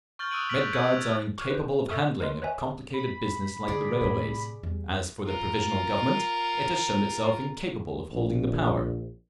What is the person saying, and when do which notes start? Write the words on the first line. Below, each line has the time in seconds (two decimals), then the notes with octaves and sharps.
Red Guards are incapable of handling a complicated business like the railways; as for the Provisional Government, it has shown itself incapable of holding the power...
0.19 C#6 F6 G6 A6 F#7
0.31 D#6 E6 F#6 D7 D#7 F#7
0.48 F6 F#6 B6 D7 F#7
0.60 G6 A6
0.72 D#6 E6 G#6 D#7
1.01 G#6 A6
1.38 C#6 D6 F6 F#6 G#6
1.50 B4 C5
1.89 A4 E5 C#6 D#6 F6
2.20 A#4 B4 C#5 D#5 C6
2.42 B4 C#5 D#5 E5 G#5
2.94 B5
3.68 D3 G#4 D5
4.01 A2 C3
4.63 E2 G3
5.27 F4 A#4
8.12 A#1